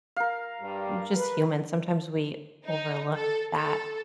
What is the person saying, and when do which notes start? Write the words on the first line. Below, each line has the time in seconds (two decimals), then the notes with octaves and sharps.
just humans, sometimes we overlook that
0.16 A#4 F5
0.62 G2 G3
1.15 B4
2.65 D#4
3.15 A4
3.53 A4